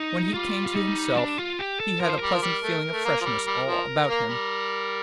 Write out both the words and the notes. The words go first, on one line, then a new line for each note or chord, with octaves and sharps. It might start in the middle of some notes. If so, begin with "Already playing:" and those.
When he came to himself, he had a pleasant feeling of freshness all about him.
Already playing: D#4
G3 F4
F4
D#4
D4
F4
G4
A4
F3 A#4
C5
G3 A#4
F3
G3
A3
A3
A#3
F3
G3
G3
F3
A#3
G3